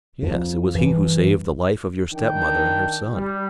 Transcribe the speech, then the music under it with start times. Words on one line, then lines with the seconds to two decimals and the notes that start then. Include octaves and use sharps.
"Yes; it was he who saved the life of your step-mother and her son."
0.22 F2
0.75 G2 E3
2.12 D#3 D4 G5
3.13 G3